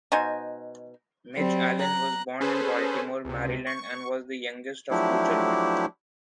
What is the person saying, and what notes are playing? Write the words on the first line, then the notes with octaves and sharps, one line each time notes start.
Mitch Allan was born in Baltimore, Maryland, and was the youngest of two children.
B2 D#4 C5 G#5
F#3 G3 C4
A#5 F#6
C#4 G#4 A4 B4 C5
C#2 C3
C#6
F3 F#3 A3 D4 E4 G4